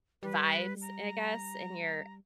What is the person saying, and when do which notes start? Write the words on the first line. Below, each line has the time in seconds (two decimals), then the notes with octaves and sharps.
vibes, I guess, in your
0.23 G3 B4
0.81 A#5